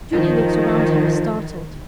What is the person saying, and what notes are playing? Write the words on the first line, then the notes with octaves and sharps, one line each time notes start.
Julie looked round her, startled.
D#3 F3